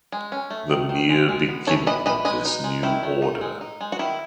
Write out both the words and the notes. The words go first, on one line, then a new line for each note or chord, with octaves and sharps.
The mere beginning of this new order.
G#3
C#4
A3
D#3
D#3
G#3
G#3
B3
E3 A4 C#5
E3 B4 D#5
E3 B4 D#5
G#3 B4 D#5
D#4
G#3
D#3 E4
A3
D#4
G#3
D#4
G#3
F#4
D#3 E4